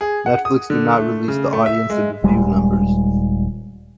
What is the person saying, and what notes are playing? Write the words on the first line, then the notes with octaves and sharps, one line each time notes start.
Netflix do not release the audience and review numbers.
G#4
F#5
D#6
D3
A3
C#3
A3
E5
G#3
D#1 G3 G#3